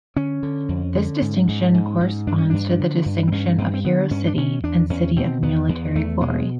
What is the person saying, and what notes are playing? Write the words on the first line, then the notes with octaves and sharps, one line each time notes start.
This distinction corresponds to the distinction of Hero City and City of Military Glory.
D3 C#4
D3
F2
D3
G#2
G#2
G#2
G#2
G2 D4
C#4
G2 D4
D3
G2
C4
G2 C#4
G2 C4
C4
D3 B3
G2 C#4
D4
B2 C#4
E2 D4
E2 C#4
B2 C4
E2 B3
E2
E2 A3
B2 G#3